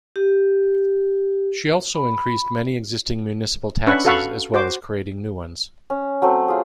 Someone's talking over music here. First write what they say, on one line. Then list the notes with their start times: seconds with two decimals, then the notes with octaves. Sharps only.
She also increased many existing municipal taxes as well as creating new ones.
0.16 G4
1.95 B5
3.87 C#4 D4 B4 E5 F#5 C#6
4.05 F#4 A4 F5 F#5 B5 C#6
4.54 F#4 C5 D6
5.90 C#4
6.22 F#3 A3 C4
6.48 F4 G#4